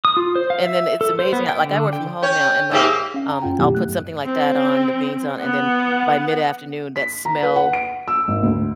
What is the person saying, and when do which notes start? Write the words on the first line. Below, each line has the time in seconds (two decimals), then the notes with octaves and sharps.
And then it's amazing I like, um, I work from home now and, like, um, I'll put something like that on- the beans on- and then by mid-afternoon, that smell
0.05 D#6
0.17 F4
0.36 C5
0.50 F5
0.65 E5
1.01 A4
1.19 C5
1.33 B3
1.49 G5
1.64 D3
1.93 G5
2.22 C#4 C#5 G5
2.71 G#2 A#3 G4 E5
3.14 C#4 F5
3.30 A#5
3.42 F#2 C#4 F4 F#5 G5
3.59 B2 D#3 F#3 B3 E4 G4
3.75 A3 F#6
3.88 G2
4.25 C4
5.40 B3 F#5
6.96 B6
7.25 A#5
7.43 B4
7.56 F#5
7.73 D7
8.08 E6
8.28 G#1
8.43 D2